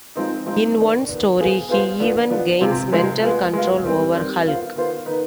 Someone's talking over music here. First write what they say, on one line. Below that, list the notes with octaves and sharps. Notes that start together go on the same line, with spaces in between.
In one story, he even gains mental control over Hulk.
F3 G#3 C4 D#4
F3 G#3 C4 D#4
D#3 B3 D4
D#3 B3 D4
B3 F4 G#4 C5
B3 F4 G#4 C5
F3 B3 D4
F3 B3 D4
C3 F3 G#3 C4
C3 F3 G#3 C4
G#3 B3 F4
G#3 B3 F4
D#3 G3 C4
D#3 G3 C4
D#3 B3 F4 C5
D#3 B3 F4 C5
D#3 B3 D#4 B4